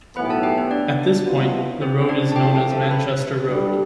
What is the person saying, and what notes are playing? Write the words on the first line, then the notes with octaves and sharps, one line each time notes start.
At this point, the road is known as Manchester Road.
B1 A2 E3 B3 B4 B5
G5
A4 A5
G4 G5
B3 B4
D4 D5
C2 B2 B3 F4
C4 C5
D4 D5
A5
E2 C3 F3 A3 G4 G5
G4 G5
A4 A5
B4 B5
G2 D3 G3